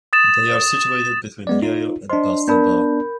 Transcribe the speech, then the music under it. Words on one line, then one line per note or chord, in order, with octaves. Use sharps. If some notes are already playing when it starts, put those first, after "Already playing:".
They are situated between Yale and Boston Bar.
D#6 A6 E7
G#3 B3 D5
D#4 F4
D4 C5 D#5 C6
B3 D4 A#4 B5 G6